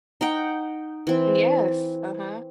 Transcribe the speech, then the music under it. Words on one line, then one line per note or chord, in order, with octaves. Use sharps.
Yes, uh-huh.
D#4 F#5 G5
E3 C4